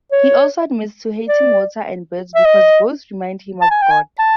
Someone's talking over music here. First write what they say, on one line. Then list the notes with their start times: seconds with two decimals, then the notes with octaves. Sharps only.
He also admits to hating water and birds because both remind him of God.
0.12 C#5
1.29 D5
2.35 E5
2.45 D#5
3.61 A5
3.71 G#5
3.82 G5
3.91 G#5
4.19 A5